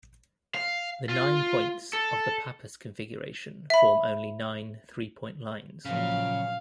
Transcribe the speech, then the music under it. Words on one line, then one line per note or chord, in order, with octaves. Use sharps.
The nine points of the Pappus configuration form only nine three-point lines.
F5
F4
A4
E5 B5
A#2 C#3 F3 F#3 F5